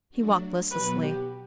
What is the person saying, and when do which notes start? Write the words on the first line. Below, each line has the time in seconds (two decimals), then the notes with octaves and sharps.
He walked listlessly.
0.10 F#3 A3 D4 F#4
0.71 B2 F#3 B3 F#4 B4
1.02 G4